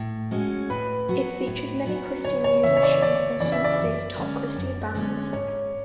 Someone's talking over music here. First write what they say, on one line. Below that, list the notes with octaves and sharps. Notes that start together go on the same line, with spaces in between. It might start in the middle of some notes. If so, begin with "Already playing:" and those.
It featured many Christian musicians and some of today's top Christian bands.
Already playing: A2
G#3 C#4 F#4
A2 B4
F#3 B3 F#4
A2
F#3 B3 F#4
D2 C#5
C#5
C#3 E3 E5
C#5
D5
D2 D5
C#3 E3 D5
E5
D5
F#2
D3 G#3 C#4
F#2
D3 G#3 C#4
G#2 C#5